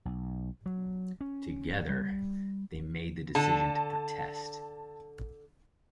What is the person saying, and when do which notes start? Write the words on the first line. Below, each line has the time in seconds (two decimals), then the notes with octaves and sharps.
Together they made the decision to protest.
0.05 B1
0.66 F#3
1.21 C#4
1.89 G3
3.35 D3 A4 A5